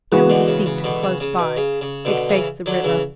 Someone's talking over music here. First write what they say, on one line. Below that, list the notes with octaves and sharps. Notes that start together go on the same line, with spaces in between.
There was a seat close by; it faced the river.
C#3 E3 G#3 B3 F#4
B2 D3
C#3
C#3
B2 D3
C#3
C#3
B2
C#3
C#3
B2 D3
C#3 E3
D3 F#3
C#3 E3